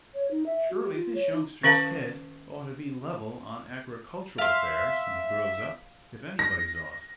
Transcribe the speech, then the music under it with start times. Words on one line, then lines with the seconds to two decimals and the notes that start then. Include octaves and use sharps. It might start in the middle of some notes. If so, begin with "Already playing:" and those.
Surely, this youngster's head ought to be level on agricultural affairs, when he grows up, if anybody's ought.
0.14 C#5
0.31 D#4
0.46 E5
0.70 F#4
0.83 G4
0.95 F4
1.15 C#5
1.33 D#4
1.63 D#3 C#4 A#4 F5 A5
4.38 E5 F5 C6
6.39 A#6